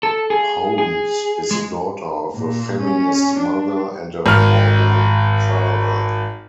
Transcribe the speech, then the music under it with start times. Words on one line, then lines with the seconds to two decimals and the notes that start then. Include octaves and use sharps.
Holmes is the daughter of a feminist mother and a Mormon father.
0.03 A4
0.30 G#4
0.78 G#4
1.51 G#3
2.36 A#2
2.81 C#4
3.39 D4
4.26 G#1 F6